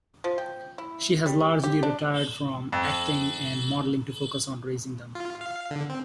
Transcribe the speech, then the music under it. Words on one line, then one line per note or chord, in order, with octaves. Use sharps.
She has largely retired from acting and modelling to focus on raising them.
F3
G5
E4
G3
G4
D4
F2
F4
F5
D3
C4